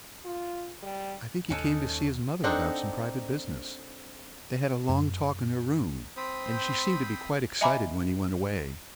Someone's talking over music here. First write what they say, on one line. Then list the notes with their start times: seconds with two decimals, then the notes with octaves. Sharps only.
I think he came to see his mother about some private business. They had a long talk in her room, and she seemed to be quite excited when he went away.
0.25 F4
0.82 G3
1.50 D#2 C#4 D#4 A4
2.44 C4 D4 D#4 A4 F#5
4.89 F#2
6.17 C4 C5 G5 B5 D#6
7.61 D#5 E5 G#5 A#5 B5 D6